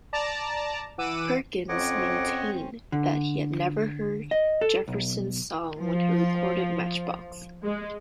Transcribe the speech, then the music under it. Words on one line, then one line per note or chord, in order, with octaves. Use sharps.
Perkins maintained that he had never heard Jefferson's song when he recorded "Matchbox".
D5 A5 A#5
E3 F#5 D6 E6 D#7
F2 C4 C#4 C#5 D#5 F#5 D6
D3
D#5
A4
B1
F3
G#3